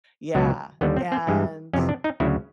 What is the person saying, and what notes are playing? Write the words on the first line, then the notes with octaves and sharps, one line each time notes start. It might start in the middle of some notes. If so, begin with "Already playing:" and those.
Yeah, and d
C#2 B2 F#3
D#2 D3 G3 B3
C4
C4
G2 E3 G#3
F2 C3 E3 C#4
D4
D#4
D2 C#3 F#3 E4